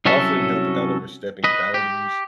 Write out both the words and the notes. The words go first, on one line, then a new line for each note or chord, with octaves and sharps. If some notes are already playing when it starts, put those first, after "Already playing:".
offering help without overstepping boundaries,
C2 F#3 C#4 F#4 A4 E5
B4 D#5
G4